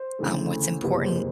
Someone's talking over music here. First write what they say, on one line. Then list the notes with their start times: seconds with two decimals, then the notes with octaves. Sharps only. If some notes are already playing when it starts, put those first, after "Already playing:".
um, what's important
Already playing: C5
0.19 D2 C#3 E3 A3
0.83 F#1 E2 C3 F3 A#3 B4
1.04 C5
1.16 C5